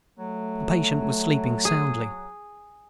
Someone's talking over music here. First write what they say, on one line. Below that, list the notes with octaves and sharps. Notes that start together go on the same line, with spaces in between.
The patient was sleeping soundly.
F#3 A3
G#4